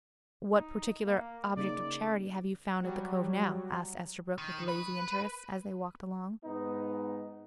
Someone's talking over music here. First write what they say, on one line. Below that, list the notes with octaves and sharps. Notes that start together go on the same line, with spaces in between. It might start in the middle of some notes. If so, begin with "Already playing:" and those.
"What particular object of charity have you found at the Cove now?" asked Esterbrook, with lazy interest, as they walked along.
D#4
A#3
C#3 A#3 D#4 D5
F#3 G3
D#3
B4
G#2 B3 D#4